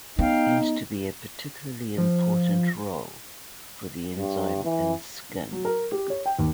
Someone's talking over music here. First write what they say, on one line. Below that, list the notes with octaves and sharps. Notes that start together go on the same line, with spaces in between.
There seems to be a particularly important role for the enzyme in skin.
B3 C#4 D#4 F5 G5
F3
G2
E3
F#3
A#4
G4
C#5
G5
D#2